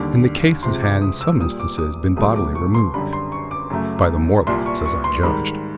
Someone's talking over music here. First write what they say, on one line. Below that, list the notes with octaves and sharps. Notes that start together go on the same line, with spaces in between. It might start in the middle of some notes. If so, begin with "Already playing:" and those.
And the cases had in some instances been bodily removed--by the Morlocks as I judged.
Already playing: D#2 D3 G3 D6
C#2 C3 F3 C6
D6
D#6
E6
A#2 G3 D#6
D6
D#6
C#2 B2 F#3 A3 D#6
D6
C#6
C6
F#2 D3 G3 B5
C6
C#6
D6
F#2 C#3 F#3 A3
C2 A#2 G3 C6
C#6
C#6
C6
G#2 D#3 G3 B5